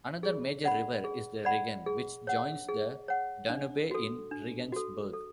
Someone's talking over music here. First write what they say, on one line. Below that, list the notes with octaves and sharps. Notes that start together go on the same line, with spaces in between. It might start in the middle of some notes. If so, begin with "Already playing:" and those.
Another major river is the Regen which joins the Danube in Regensburg.
G#4
D5 F#5 B5
G#4
D5 F#5 B5
G#4
C#5 F#5
G#4
C#5 F#5
D4
F#4 A4
D4
F#4 A4
A4